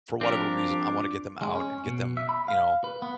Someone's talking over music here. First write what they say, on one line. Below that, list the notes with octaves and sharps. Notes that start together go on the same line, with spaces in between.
for whatever reason, I wanna get them out and get them, you know,
F3 C4 D4 G4 A#4 D6
G#3
C#4
B2
E5
B5
F5
B4
B3